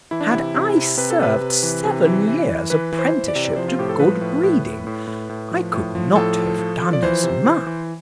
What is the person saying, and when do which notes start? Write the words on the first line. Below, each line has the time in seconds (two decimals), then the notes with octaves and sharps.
Had I served seven years apprenticeship to good breeding, I could not have done as much.
0.11 E3 E4
0.21 D4
0.31 C3 E4
0.54 C3
0.77 C3
0.97 C3 B4
1.10 A4
1.20 C3 B4
1.41 C3
1.63 E3
1.85 C3
2.05 E3
2.28 E3
2.49 E3
2.70 E3 B4
2.93 E3
2.99 C5
3.14 E3
3.28 D5
3.35 C3
3.45 D5
3.56 F3 C5
3.68 F4
3.79 A2 G4
3.89 A4
4.00 F3 B4
4.21 A2
4.43 A2
4.65 A2
4.87 A2
5.07 A2
5.29 A2
5.51 F3
5.73 A2
5.95 F3
6.15 A2 A4
6.38 F3
6.59 F3
6.81 F3
6.93 D5
7.02 E3 C5
7.24 C3
7.45 E3
7.66 E3